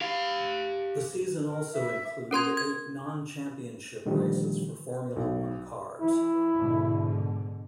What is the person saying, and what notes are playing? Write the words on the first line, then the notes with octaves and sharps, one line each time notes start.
The season also included eight non-championship races for Formula One cars.
G4 F5
A#4
E5
C#4 A#4 C6 G#6
G#6
A#2 D3 D#3 F3 G3 A3
B1
E3 E4
G#2 B2 D3